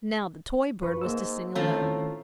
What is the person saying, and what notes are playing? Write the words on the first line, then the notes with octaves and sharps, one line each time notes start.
Now the toy bird was to sing alone.
F#2 B4 C#6
G#2 A#3 E6
A2 D#3 A3 C4 C#4 F4 A#5